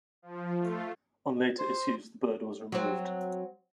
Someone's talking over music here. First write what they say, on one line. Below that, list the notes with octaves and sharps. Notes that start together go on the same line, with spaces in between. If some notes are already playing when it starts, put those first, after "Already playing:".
On later issues the bird was removed.
F3
A3 F4
C5
F#3 C4